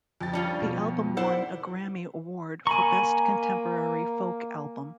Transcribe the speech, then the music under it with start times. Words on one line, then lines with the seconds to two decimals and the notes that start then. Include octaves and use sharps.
The album won a Grammy Award for Best Contemporary Folk Album.
0.21 F2 A6
0.33 G3 C#4 D4 F4
0.62 B2
1.17 E4 C5 D5 F#5
2.67 A#3 G#5 A#5 B5 C#6